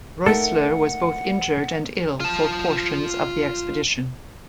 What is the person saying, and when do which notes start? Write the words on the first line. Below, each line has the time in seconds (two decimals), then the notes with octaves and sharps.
Roessler was both injured and ill for portions of the expedition.
0.26 A3 D#4 A4 A#4 F#5
2.20 F4 A5